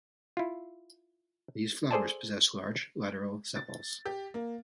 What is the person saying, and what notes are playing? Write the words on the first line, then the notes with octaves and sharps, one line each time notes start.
These flowers possess large lateral sepals.
E4 F4
G#4 A4 C5 D5 G#5 A5
A6
G4
A#3